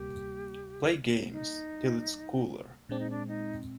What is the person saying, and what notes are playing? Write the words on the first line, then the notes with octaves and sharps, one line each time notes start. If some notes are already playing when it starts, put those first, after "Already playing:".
Play games, till it's cooler.
Already playing: D2 C3 G3 A#3 G4
D#4
A#2 G#3 C4 D4
D#4
D4
D#4